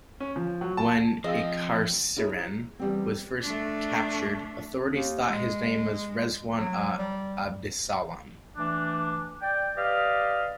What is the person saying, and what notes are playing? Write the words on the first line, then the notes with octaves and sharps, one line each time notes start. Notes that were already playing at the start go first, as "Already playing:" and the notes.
When Ikassrien was first captured authorities thought his name was Reswan A. Abdesalam.
C#4
F3
F#3
A5
F3 C4 G#4 D#5 F5 E6
C#4 D#4 E4 G#4 B4 C#5
A#5
E2 G3 C4
A3 D4
D#2
G#3
F#3
G3
E3 A3 D4
D5 G5
G4 B4 D5 D#5 F5